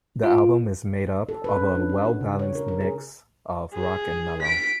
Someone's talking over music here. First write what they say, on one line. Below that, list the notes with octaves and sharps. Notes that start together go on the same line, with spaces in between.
The album is made up of a well-balanced mix of rock and mellow.
F4
A4
B4
C#4
D4
D#4
F#4
C#3
C#5
A#4
A#4
G#4
G#4
B6 D7